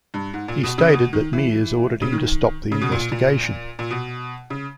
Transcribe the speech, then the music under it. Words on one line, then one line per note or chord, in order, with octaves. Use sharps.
He stated that Miers ordered him to stop the investigation.
G2
G#2
A#2
B2
C#3
B2
D#3
E3
C#3
D#3
C#3
B2
A#2
A#2
A#2
B2
C#3